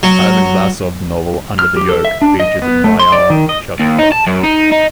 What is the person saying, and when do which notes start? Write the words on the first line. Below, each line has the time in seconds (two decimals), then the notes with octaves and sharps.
Ivan Vazov's novel "Under the Yoke" features Byala Cherkva.
0.03 F#3
1.59 F6
1.77 G4
1.89 A4
2.05 E5
2.22 D4
2.40 D#5
2.62 B3
2.84 A3
2.99 C6
3.12 D5
3.30 D#3
3.49 D#5
3.79 D#2
3.99 D#4
4.12 A5
4.27 F#2
4.43 D#4
4.72 D#4